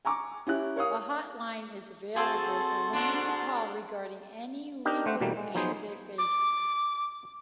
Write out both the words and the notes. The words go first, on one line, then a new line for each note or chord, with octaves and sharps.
A hotline is available for women to call regarding any legal issue they face.
G#5 A#5 C#6 D6
C#4 E4 G4 F#6
A#4 C#5 F5 D#6
C4 F#4 G#4 A4 G#5 A5 C6
G#2 G#3 D4
D4 D#4 G4 A#4 D#5
A3 C5 F#5
B2 E3 G3 A3 A#3
G#3
F3 F#3 B3 D#4 G#4 C5
D6